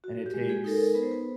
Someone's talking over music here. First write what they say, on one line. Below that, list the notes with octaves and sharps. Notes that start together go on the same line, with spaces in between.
and it takes
F#4
G4
G#3
G#4
D#4 A4
A#4
B3 B4
C5
B4